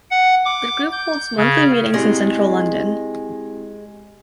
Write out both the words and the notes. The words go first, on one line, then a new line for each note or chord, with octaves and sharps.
The group holds monthly meetings in central London.
F#5
D6
G6
C#3
G#3 C4 E4 G4